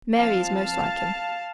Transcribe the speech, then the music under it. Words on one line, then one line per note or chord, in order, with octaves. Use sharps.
Mary is most like him.
F3 C4 F5 A5
F5 A5